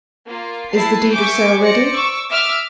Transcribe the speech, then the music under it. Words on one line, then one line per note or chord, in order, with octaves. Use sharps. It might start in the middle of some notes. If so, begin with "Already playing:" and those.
"Is the deed of sale ready?"
A#3 F4
E4 B4 A5 C7
A#4 E5 G#5 C#6 D6 G6
C5 D5 A#6 C#7
C#6 D6 E6
E5 D6 E6 F6